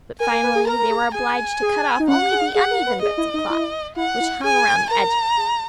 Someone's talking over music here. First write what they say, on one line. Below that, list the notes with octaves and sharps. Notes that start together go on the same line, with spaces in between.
But finally they were obliged to cut off only the uneven bits of cloth which hung around the edges.
A#4 G#5
A#4
B4
G#4
A#4 A#5
A#4
G#4
G#4 G#5
G#4
D#4
C#4 F#5
G#4
G#4 F#5
A#4
B4
G#4 D#5
E4
D#4
E4
E4 F#5
E4
G#4 G#5
A#4 A#5
G#4